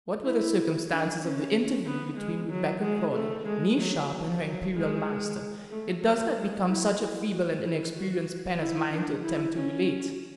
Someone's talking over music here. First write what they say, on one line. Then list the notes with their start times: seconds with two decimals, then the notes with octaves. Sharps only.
What were the circumstances of the interview between Rebecca Crawley, nee Sharp, and her Imperial Master, it does not become such a feeble and inexperienced pen as mine to attempt to relate.
0.25 E4
0.90 D4
1.22 C#4
1.86 B3
2.17 G#3
2.50 F#3
2.82 G#3
3.14 A3
3.46 G#3
3.78 F#3
4.42 F#3
4.74 G#3
5.70 A3
6.02 F#3
6.34 G#3
6.66 E4
7.30 F#4
7.63 E4
7.95 F#4
8.59 E4
8.91 D4
9.23 E4
9.56 C#4